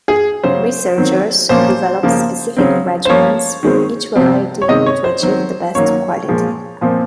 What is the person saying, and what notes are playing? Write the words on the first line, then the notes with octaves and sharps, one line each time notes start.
Researchers develop specific regimens for each variety to achieve the best quality.
G#4
C#3 F#3 C#4 C5
D#3 F#3 C4
A#2 F3 A#3 C#4 C5
C#3 F3 A#3
C#3 F#3 C4
C5
F3 A#3 C#4 C#5
D#3 G#3 C4
C3 F3 C4
C#5
C3 D#3 G#3 C#4 D#5
C#5
C5
D#3 F#3 C4
D#3 F#3 A#3 C#4 C#5
A#2 F3 G#3
A#2 F3 C4